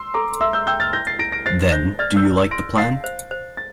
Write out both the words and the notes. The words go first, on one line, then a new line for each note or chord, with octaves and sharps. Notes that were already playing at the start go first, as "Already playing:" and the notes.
Then you do like the plan?
Already playing: C6 E6
A4 A#5 D6
E5 C6 E6
E6 G6
G5 E6 G6
F6 A6
E4 G6 A#6
A6 C7
E4 A#6 D7
A#6 D7
C5 A6 C7
C5 G6 A#6
D5 F6 A6
E6 G6
E4
C6 A#6 D7
F5 A6 C7
C5
C5
A6